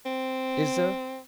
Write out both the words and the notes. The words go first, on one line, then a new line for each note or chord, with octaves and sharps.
Is there?
C4